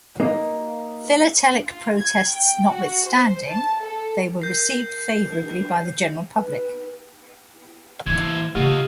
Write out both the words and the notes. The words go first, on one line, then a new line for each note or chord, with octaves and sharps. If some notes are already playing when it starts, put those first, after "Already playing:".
Philatelic protests notwithstanding, they were received favorably by the general public.
A#3 D#4
F4
G#6
G5
F#4
C5
A5
A4
A#4 G6 C7
B4
E3 G#3 A#3 C5 G#6
C#3 E3 A3 F4 G4 D#5